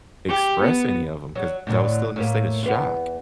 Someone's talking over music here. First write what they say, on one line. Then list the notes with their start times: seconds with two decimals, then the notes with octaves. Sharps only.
express any of them 'cause I was still in a state of shock.
0.28 G4
0.62 B3
1.35 F#3
1.67 A2 D3 F#3
2.16 A2 A#3
2.63 E2 B3